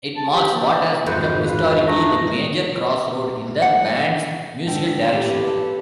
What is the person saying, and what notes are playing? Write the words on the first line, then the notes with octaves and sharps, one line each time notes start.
It marks what has become historically, the major crossroad in the band's musical direction.
A5
G4
A#3
D5
G#1 F2 B4 C5
B4 F5
A3 D#4 D#5
F#5
D3 G#3 A#4 G5
A2 E3 C4 C#4 G4 A4
B3 B4
A4